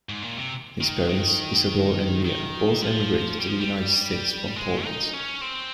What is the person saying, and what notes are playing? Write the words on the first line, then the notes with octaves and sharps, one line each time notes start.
His parents, Isidor and Leah, both emigrated to the United States from Poland.
G#2
A#2
C3
D#3
D#3
D#3
F3
G3
F3
G3
G#3
D#4
C#4
C4